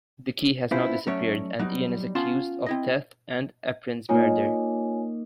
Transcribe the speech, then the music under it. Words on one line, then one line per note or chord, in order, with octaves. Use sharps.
The Key has now disappeared and Ian is accused of theft and Eprin's murder.
A#3 B3 C#4 E4 F4 C5
F#3 A3 C#4 C#5 D5 E5
F#3 G3 B3 D#4
B3 C#4 F4 A5 C6
C4 E4 D#5
A#3 D#4 F4 C#5 G#5